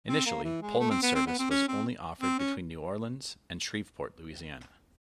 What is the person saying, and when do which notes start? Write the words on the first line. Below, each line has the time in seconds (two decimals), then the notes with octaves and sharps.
Initially, Pullman service was only offered between New Orleans and Shreveport, Louisiana.
0.09 C4
0.26 A#3
0.44 E3
0.62 G#3
0.80 A3
0.91 C4
1.03 B3
1.15 C4
1.27 B3
1.39 C4
1.51 C#4
1.68 C4
2.21 C4
2.39 C#4